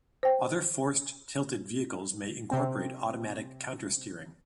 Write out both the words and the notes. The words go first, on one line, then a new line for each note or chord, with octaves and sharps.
Other forced-tilted vehicles may incorporate automatic countersteering.
C5 G5
C3 C4